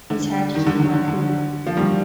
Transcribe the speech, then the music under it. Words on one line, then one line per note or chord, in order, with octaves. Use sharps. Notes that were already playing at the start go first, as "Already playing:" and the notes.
It's hard to keep my cool.
D3
D#3
D3
D3
D3
D3
F3
D#3 G3